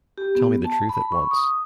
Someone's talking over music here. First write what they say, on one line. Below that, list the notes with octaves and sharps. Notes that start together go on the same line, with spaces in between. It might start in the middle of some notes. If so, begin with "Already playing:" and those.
Tell me the truth at once.
G4
B3
A5
B5
C#6
D#6